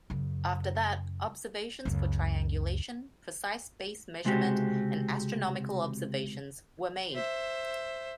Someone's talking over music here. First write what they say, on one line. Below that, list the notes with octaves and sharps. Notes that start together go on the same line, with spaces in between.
After that, observations for triangulation, precise base measurement and astronomical observations were made.
F#2 C#3
C#2 F#2
C#2 C3 G#3 C4 F#4 G4
C5 E5